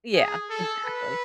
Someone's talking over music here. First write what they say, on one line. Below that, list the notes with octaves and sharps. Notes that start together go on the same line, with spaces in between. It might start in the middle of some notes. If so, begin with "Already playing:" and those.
Yeah, exactly.
G#4
A4
B4